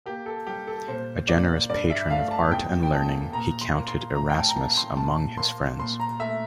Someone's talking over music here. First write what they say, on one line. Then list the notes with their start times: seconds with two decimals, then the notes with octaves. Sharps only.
A generous patron of art and learning, he counted Erasmus among his friends.
0.06 A#3 G4
0.26 A4
0.47 G3 G4
0.67 A4
0.88 A#2 C5
1.28 A#3 D5
1.70 G2 D5
1.90 E5
2.10 A3 F5
2.31 A5
2.51 E2 G5
2.83 G5
2.93 A#3 A5
3.33 A#2 A#5
3.61 C6
3.74 A#3
3.88 C6
4.15 A2 A#5
4.30 G5
4.36 A5
4.49 A#5
4.56 A#3 A5
4.77 C6
4.97 A#2 A5
5.38 A#3 C6
5.79 A#2 C6
6.00 A#5
6.19 A3 E5